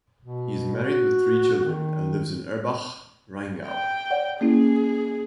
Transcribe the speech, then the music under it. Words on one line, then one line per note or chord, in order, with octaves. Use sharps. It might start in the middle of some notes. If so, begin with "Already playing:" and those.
He is married with three children and lives in Erbach, Rheingau.
B2
F#4
D#3
G5
C#5 D5 F#5
A#3 C#4 E4 G#4